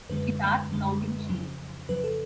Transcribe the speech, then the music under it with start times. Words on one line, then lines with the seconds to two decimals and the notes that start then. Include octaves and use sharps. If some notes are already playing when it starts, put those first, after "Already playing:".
She starts counting sheep.
0.09 F#2 D3 G#3 B4
0.70 F#2 D3 G#3
1.29 F2 C#3 F#3
1.89 F2 C#3 F#3 B4
2.04 A4